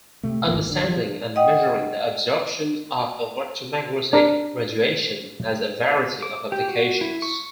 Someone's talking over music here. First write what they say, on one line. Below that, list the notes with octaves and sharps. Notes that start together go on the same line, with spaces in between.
Understanding and measuring the absorption of electromagnetic radiation has a variety of applications.
C3 A3
G1 G#2 D#3 A#3
D3
E3 F3
D#5 F#5 G5 D#6
D4 A#4
D6
G4
F#4
E4
C#6